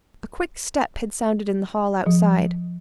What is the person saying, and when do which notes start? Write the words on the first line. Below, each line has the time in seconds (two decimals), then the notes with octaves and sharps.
A quick step had sounded in the hall outside.
2.06 F3